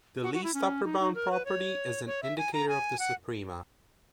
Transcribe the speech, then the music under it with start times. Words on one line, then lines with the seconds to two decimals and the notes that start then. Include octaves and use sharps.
The least-upper-bound property is an indicator of the suprema.
0.23 F#4
0.34 F#4
0.44 E4
0.54 C#4
0.84 D#4
1.00 D#4
1.15 A#4
1.31 B4
1.45 C#5
2.07 C#5
2.23 E5
2.38 G#5
2.53 A#5
2.69 G#5
2.99 F#5